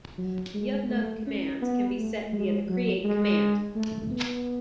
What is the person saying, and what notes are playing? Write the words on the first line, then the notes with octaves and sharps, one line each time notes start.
YubNub commands can be set via the create command.
F#3
G#3
A3
C#4
B3
A3
G#3
F#3
G#3
A3
B3